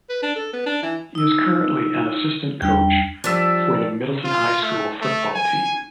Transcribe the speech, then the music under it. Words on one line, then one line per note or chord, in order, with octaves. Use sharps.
He is currently an assistant coach for the Middleton High School football team.
B4
D4
A4
B3
D4
E3
D#4 E6
E2 G3 D4 G5
F3 G3 D4 E5
F4
A3
A3
G#5